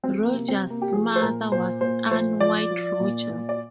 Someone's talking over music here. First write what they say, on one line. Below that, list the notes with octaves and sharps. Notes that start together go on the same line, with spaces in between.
Rogers' mother was Ann White Rogers.
F3 C4
A#3
C3
C4
C3
A#3
G4
F3 G#4
C5
A#2 A#4
A#2 C5
A#2 C5
F3 C5
F3 D5
F3
A#2
A#2
D5